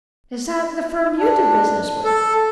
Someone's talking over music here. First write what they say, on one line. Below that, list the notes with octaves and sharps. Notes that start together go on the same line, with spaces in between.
"Is that the firm you do business with?"
D4
A4